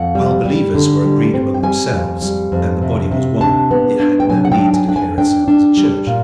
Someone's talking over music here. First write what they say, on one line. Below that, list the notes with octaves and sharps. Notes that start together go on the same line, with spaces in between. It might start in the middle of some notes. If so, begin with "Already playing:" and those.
While believers were agreed among themselves and the body was one, it had no need to declare itself as a church.
Already playing: F2 F#5
G3
G3
D3
G3
C4
G5
G3 G#5
F2
G3
F2
C3
C3
D4 A5
B3
D4
G5
F#3 G#5
F#5
G5
D4
G#5
D4 G5
G#5
D4 G5
D4
G3
A#2